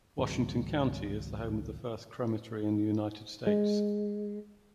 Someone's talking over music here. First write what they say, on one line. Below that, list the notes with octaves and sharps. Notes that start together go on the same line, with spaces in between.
Washington County is the home of the first crematory in the United States.
G#1 C#2 F#3
G#3